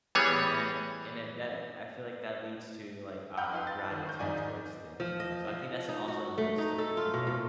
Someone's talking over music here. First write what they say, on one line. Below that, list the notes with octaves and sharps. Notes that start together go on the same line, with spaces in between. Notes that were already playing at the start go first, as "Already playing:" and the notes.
And and at that I feel like that leads to, like, uh, gratitude towards things, you know. So, I think that's also another step to be more,
E3 G3 B3 G#4 C#5
F#5 G5 B5 F6 G6
D#4 F4 B4
A6
G#1
C#6 G6
G#1 G#2 D#4 D5 G#5
F3
D#5
F3
D#4
F#4
A3
D#4
A4
F4
B2
A#2